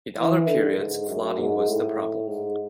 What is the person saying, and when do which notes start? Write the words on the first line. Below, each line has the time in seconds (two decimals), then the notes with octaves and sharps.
In other periods, flooding was the problem.
0.18 E3
0.48 D3
0.78 G#2
1.08 F#2
1.38 G#2
1.68 A2
2.27 G#2